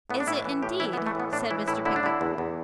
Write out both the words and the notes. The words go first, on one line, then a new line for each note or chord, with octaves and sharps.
'Is it, indeed?' said Mr. Pickwick.
A2 B3
D4
A2 E4
E3
A2 G4
E3 E4
B3
E3
A3
A2 B3
A2 D4
E3 E4
A2 E4
D3 E4
D4
D3 E4
E2
E2